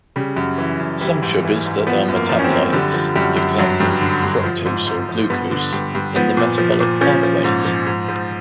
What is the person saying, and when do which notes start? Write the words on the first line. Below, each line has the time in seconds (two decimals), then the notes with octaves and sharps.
Some sugars that are metabolites; example: fructose or glucose in the metabolic pathways.
0.16 C#3 G3
0.36 F#2
0.58 E3
0.79 F#2
1.01 E3 G3
1.22 G#2
1.44 E3
1.66 G#2
1.87 F3 B3
2.08 F#2
2.16 A#3
2.29 F3
2.39 C#4
2.44 C4
2.51 F#2
2.73 D3 G3
2.94 F3
3.15 F#2 G3
3.36 F#2
3.58 G2 F#3
3.80 G2
4.01 D3
4.23 G2
4.44 F3
4.66 G#2
4.87 G#2
5.09 F3
5.30 G2 B3
5.51 D3
5.73 G2
5.95 G2
6.16 F3 B3
6.37 A#2
6.58 F3
6.80 A#2
7.01 F3 C#4
7.23 F3
7.44 G#2
7.65 F3
7.87 G#2
8.09 G#2